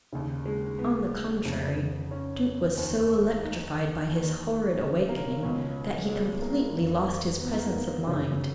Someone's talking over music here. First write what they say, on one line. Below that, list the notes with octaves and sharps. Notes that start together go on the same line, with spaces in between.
On the contrary, Duke was so electrified by his horrid awakening that he completely lost his presence of mind.
D#2 C#3
G#3
B3
F2 C#3
C#4
D#2 D#3
D#4
D#2 D#3
C#4
A#3
C#2 B2 C#4
G#3
A#3
F2 D#3
B3
A#3
B3
F#2 C#3